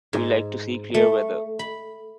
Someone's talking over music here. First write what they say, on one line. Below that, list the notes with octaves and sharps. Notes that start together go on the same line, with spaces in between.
We like to see clear weather.
G#2
A3
B5